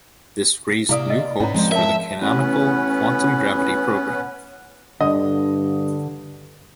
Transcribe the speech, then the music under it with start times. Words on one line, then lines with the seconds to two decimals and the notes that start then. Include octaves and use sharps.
This raised new hopes for the canonical quantum gravity programme.
0.89 C3 A#3 E4 D5 F5 D#6
1.10 D#5
1.40 G#2 C#4 B4 C#5 A#5
1.54 F3 G#3 C4 F4 C5
1.72 A#4 C#5 E5 A5
2.21 A1 B3 C#4 B4
5.01 G2 D3 D#5